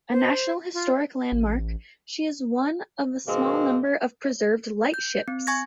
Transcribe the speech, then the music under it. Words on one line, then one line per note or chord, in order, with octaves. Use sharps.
A National Historic Landmark, she is one of a small number of preserved lightships.
C5
F4
A1
G#2 B2 D#3 G#3 A#3 C4
G6
C4
G#5 C#6 G#6 A#6